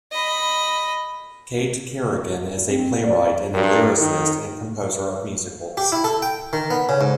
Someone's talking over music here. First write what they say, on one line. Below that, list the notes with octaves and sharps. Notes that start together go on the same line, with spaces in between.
Kait Kerrigan is a playwright and a lyricist and composer of musicals.
D#5 B5
C4
D5
G2 A#4
D#3 D#4
G4
E4
A4
G5
D#3
B3
C#3
G#2